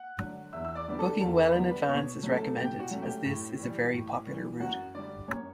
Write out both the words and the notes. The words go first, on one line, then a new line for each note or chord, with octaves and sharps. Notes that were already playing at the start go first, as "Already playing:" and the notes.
Booking well in advance is recommended, as this is a very popular route.
Already playing: F#5 F#6
D3 F#3
E2 E5 E6
E6
D5 D6
D3 G3 B3 D4
A4 A5
E2 A4 A5
B4 B5
D3 G3 B3 D4
B4 B5
B2 C#5 C#6
F#3 A3 C#4
A4 A5
B2 G4 G5
F#4 F#5
F#3 A3 C#4
G4 G5
A2
E3 G3
A2
E3 G3
F#2 F#4 F#5
D3 G3 D5
F#2 C#5